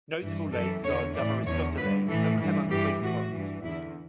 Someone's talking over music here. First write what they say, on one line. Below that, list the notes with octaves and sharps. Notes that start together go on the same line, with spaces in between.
Notable lakes are Damariscotta Lake and Pemaquid Pond.
G2 E3
F#2 E3 A4
E2 D3 C#5
A2 E3 D5
E2 D3 C#5
G2 D3 B4
A2 E3 A4
G2 E3
G2 E3 G4
A2 E3 F#4
G2 E3
E2 D3 E4